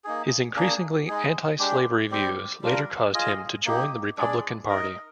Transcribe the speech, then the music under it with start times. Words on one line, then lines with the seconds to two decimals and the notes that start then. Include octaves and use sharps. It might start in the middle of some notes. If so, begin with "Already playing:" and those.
His increasingly antislavery views later caused him to join the Republican Party.
0.04 A#3 D#4 G#4
0.56 A#3 D4 G#4
1.08 G#3 D#4 G#4
1.59 G#3 D4 G4
2.10 G3 C4 G4
2.62 G3 D4 F4 A#4
3.14 F4 G#4 D#5
3.65 A#3 D#4 G4
4.18 G#3 D4 G#4 D5
4.68 D#4 A#4 D#5